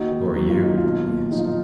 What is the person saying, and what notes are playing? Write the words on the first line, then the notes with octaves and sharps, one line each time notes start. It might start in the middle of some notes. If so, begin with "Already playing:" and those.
"Who are you?" he asked.
Already playing: D#2 D#4 F#4
D#3
F#3 F#4
F4
D#2 D#4
F4
B1
A#2
F3 D#4
F4
D#4